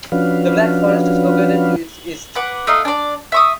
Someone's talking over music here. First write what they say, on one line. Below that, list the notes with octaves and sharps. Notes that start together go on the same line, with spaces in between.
The Black Forest is located to its east.
F3 C#4 D4 F#4 B4 F5
B4 F#5 D6
A3 D#4 D#5 F5
D4 D5
E5 C#6 D#6